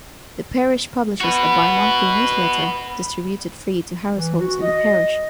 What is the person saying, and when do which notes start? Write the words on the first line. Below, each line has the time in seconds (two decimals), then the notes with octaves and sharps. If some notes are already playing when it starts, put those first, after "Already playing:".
The parish publishes a bi-monthly newsletter distributed free to households in the parish.
1.21 F#4 B4
4.15 E3
4.39 F#4
4.62 D#5